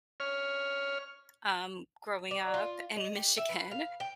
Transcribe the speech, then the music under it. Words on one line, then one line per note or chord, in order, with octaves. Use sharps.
um, growing up in Michigan
C#5 F6
D5
F4
D#5
G4
E5
B4
F5
G5